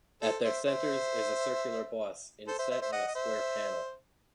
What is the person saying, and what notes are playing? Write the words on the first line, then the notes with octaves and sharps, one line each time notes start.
At their centers is a circular boss inset on a square panel.
A4 C5
C5 E5
C5 E5
A4 C5
C5 E5
C5 E5
C5 E5
D#5 F#5
D#5
C5 E5